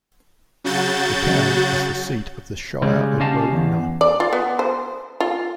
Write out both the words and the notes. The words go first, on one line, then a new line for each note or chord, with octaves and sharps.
The town is the seat of the Shire of Waroona.
C#3 F#3 F#4 G6 A6
C#3 G3 G#3
C#4 G4 D#5 F5 A5
E2
D5
F4
B3
C5
F4